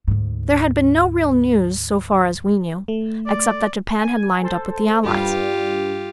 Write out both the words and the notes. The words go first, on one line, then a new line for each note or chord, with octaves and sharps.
There had been no real news so far as we knew, except that Japan had lined up with the Allies.
D2 G#2
A3
D5
G#5
A4 C5
G2 G3 F4 G4